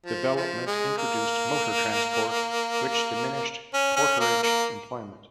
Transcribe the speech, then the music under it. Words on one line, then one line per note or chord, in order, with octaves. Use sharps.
Development introduced motor transport, which diminished porterage employment.
F3
F3
G#3
A#3
C#4
C#4
A#3
A#3